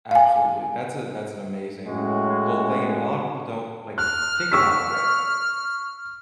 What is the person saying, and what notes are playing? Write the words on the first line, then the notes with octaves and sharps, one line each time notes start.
Absolutely, that's a that's an amazing little thing, and a lotta people don't, like, think about the bread,
F5 G#5
A2 G#3 C#4 F#4
F6 F#6
C#6 E6 F6 B6